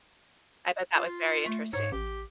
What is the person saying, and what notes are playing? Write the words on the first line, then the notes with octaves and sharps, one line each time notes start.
I bet that was very interesting.
F4
A3
G#2 C#5
A1 G4